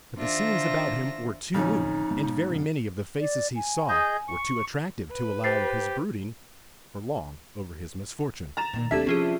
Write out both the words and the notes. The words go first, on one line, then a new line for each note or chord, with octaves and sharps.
But the scenes about him were too new, and very many of the faces he saw were too attractive, to allow of his brooding for long over his misfortune.
D#3 D4 F4 C5 E5 A#6
A1 F2 D3 C#4 D#4
G#1 G#3 B3
F#2 C3
D5
G#5
G#4 D#5 G6
C#6
B4
G4 C5 A6 C7
A#5 A6 E7
A#2 D#3
F1 D#2 C3 D4 A4 E5 G#6 B6
F3 C#4 F4 G#4